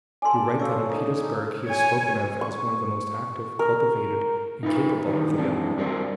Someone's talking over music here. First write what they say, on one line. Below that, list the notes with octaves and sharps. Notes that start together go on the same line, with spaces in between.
You write that in Petersburg he is spoken of as one of the most active, cultivated, and capable of the young men.
G4 A4 D5 G#5 C6
F3 C#4 D6 E6
D#4
C#5 G#5
C#6
A#4
D#4 F4 B4
A#2 D#3 E3 D4 D#4
E3 G#3 C4 D4 A4
G3 F#4 A#4 C5 D5 D#5